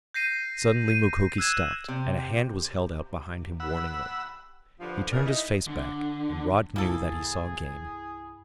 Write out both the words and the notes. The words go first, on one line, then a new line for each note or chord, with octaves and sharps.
Suddenly Mukoki stopped, and a hand was held out behind him warningly. He turned his face back, and Rod knew that he saw game.
G6 A#6 C7 D#7
D#7
E6 F#6 G#6 E7
C3
F#5 B5 E6
G2 D3 F3
C#3 E3 G3 D#4 A#4
D#4 E4 D#5
D3
C2 G2 A#3 E4 G#4 A4 B5